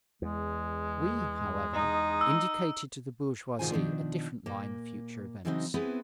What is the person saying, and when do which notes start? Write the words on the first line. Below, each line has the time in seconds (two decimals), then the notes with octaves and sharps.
We, however, indicated to the bourgeoisie a different line of future events.
0.22 E2 G#3
1.73 D#4
2.21 E6
3.59 G#2 B2 D#3 F4 C5 G#5
3.71 B2 D#3 F3 D4
4.46 A#2 A#3
5.45 C#3 E3 F#3 C4 D4 D#4
5.74 B3 C4 E4 G#4 B4